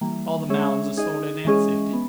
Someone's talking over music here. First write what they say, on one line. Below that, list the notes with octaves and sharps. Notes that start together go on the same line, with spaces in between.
All the mounds are sorted and sifted?'
E3 G3 A#3
G#3 C#4 G#4 C#5 E5
D#4 G#4 D#5
E3 G#3 C#4 G#4 D#5
B3